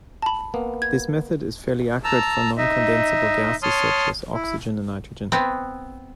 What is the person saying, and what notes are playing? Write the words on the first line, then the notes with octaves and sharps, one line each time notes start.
This method is fairly accurate for non-condensible gases, such as oxygen and nitrogen.
A5 B5
A#3 B3
G#6
A5 A#5 E6
D#4 D#5 E5
C#5 A5 C6 D#6 F6
E4
B3 C4